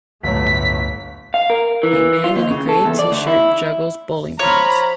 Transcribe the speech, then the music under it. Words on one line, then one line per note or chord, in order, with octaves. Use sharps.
A man in a gray tshirt juggles bowling pins.
G1 C#2 A2 F#3 A3 B6
F5
A#4
E3
F4
D#2
C#3
A4
E2
D5
D2
E4
F3 C#5 A#5 B5 F6